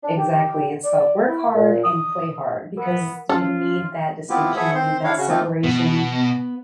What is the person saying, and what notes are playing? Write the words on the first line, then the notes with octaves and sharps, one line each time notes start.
Exactly, it's called "work hard and play hard," because you need that distinction, you need that separation.
D4
G4
D5
E4
A#2
D#6
B3 A#4
C#4 F4 A4 C#5
A3 B3 C4 E4 F4 G4
G#4 A4 B4 C#5 E5 F#5
C4 C5 C6
D4 E4 C#5 F5
C#3 C#4 F#4
F3 A3 A#3 C4 D#4 F4
B2 B3